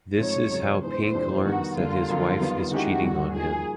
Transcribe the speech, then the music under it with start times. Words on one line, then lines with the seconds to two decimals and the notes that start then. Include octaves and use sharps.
This is how Pink learns that his wife is cheating on him.
0.19 G#2 F3 A3 C4 D#4 C#5
0.50 F2 C#3 F#3
0.82 G#2 E3 G#3 B3 D4 C5
1.14 F2 C3 E3 A3 D4
1.45 D#3 G3 B3 D#4 F#4
1.77 D3 G3 A#3 F4
2.08 F2 D3 F#3 A#3
2.40 D#3 G3 B3
2.71 D#3 G#3 C#4 E4 F#4 G4
3.03 G2 D3 G3
3.34 F3 A#3 D#4 F#4 G#4